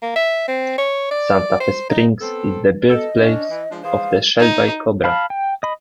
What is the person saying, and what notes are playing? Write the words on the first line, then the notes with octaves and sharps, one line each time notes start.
Santa Fe Springs is the birthplace of the Shelby Cobra.
A#3
E5
C4
C#5
D5
C5
D#4
B3 C4 A4
A4 D#5
C#4 D4
E3
F3 G#3 D4
E3 G#4 C5 F5
D#4
F5 A5 B5 F6
G5
D#5 B5